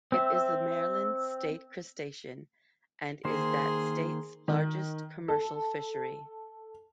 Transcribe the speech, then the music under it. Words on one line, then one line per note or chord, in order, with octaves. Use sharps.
It is the Maryland state crustacean and is that state's largest commercial fishery.
C4 E5
D#3 A#3 G#4 C5 C6
D#3
A4